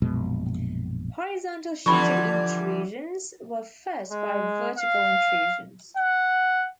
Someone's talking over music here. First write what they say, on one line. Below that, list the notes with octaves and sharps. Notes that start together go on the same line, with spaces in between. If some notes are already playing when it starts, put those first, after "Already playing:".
Horizontal sheeted intrusions were fed by vertical intrusions.
A#1 F#2 B2 G#3
D3 E3 F3 G3 B5 C#6
G#3
F5
F#5